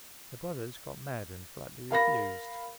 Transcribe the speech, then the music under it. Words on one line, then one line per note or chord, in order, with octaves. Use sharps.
The "brothers" got mad and flatly refused.
A#4 F5 B5 A#6